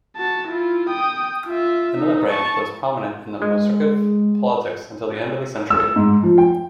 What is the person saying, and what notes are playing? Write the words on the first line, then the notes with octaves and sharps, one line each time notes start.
Another branch was prominent in the Muscovite politics until the end of the century.
F#4 A5
E4 F4
G5 D#6
F4 E5
D#4
A5 C#6
G#3
E6
G#2
F3
G5